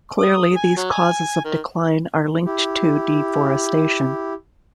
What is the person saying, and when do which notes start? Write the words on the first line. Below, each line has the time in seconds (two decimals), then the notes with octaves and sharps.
Clearly, these causes of decline are linked to deforestation.
0.19 D#6
0.56 G#5
0.77 F#3
0.91 G#5
1.45 D#3
2.46 E4 G4